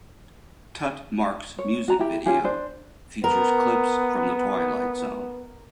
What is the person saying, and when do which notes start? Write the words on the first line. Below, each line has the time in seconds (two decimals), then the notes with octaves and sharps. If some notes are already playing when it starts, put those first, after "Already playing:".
Tutmarc's music video features clips from the Twilight Zone.
1.58 C#5
1.88 F#4 A#5
1.99 E4 G4
2.26 C#4 F4 G4 G#4
2.44 D4 C5
3.24 B3 A#4